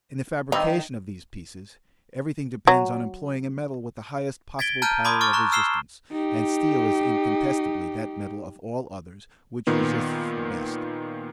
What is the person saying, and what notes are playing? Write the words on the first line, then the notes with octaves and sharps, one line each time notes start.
In the fabrication of these pieces, everything depends on employing a metal with the highest possible power of resistance, and steel is incontestably that metal of all others which resists the best.
G2 D#3 G3 C4 D#4
F#3
G#6 A6 B6 D7 G7
A5 A#5 F6 G6 D#7
A5 B5 C6 D6 D#6 G#6
C#6 D6 F6 A6
A#5 C#6 F#6
E6 F6 C7 E7 G7
D#4 G4
A#2 D#3 B3